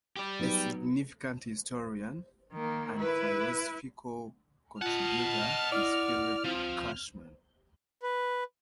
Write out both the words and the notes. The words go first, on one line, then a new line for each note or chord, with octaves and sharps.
A significant historian and philosophical contributor is Philip Cushman.
G4 D5
F#3 B3 D#4
D#3 A#3
E4 B4
F4 D#5 F#5 A5 F6
E4 D5
F3 C4
B4